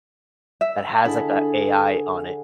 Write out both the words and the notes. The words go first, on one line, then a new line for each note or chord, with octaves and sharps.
that has, like, a AI on it
E5
D3 E4 G#4 A5